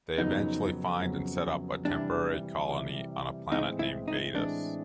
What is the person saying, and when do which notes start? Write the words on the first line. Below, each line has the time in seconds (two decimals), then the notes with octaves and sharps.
They eventually find and set up a temporary colony on a planet named Vadis.
0.18 F2 C#3 F#3 B3 D#4
1.01 F2 C#3 F#3 B3
1.85 C3 E3 G3 D4
2.69 C3 E3 G3
3.52 A2 E3 G#3 C4 D#4
3.79 E4
4.08 D#4
4.35 A2 E3 G#3 C4 D4